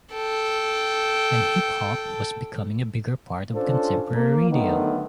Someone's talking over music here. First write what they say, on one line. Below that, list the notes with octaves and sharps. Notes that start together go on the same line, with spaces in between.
And hip hop was becoming a bigger part of contemporary radio.
A4 G5
C#4 D4 F4 A4 C5
A#3
D3 D#3 F#3 A3 B3 D#4